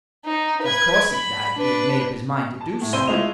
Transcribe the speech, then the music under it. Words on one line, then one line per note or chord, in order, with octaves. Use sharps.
"Of course he died, if he had made up his mind to do so."
D#4
B4 G#6
B5
D4 B4
A5
A2
C2 C4 C5 E6 D#7 G7
G#3 A3 E4 F4 D#5 F7